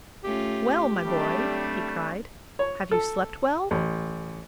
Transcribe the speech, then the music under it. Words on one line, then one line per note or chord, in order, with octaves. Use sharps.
"Well, my boy," he cried, "have you slept well?"
A3 C#4 F4 G4
F#3 G3 A3 C4 D4
C#5
A4
A1